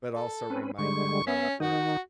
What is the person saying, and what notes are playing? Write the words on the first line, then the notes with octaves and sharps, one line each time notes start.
but also reminding you that
A4
C4 C#4 B4
D3 G3 G#3 C#6
B3 C#4 E5
D#3 D#4 F#4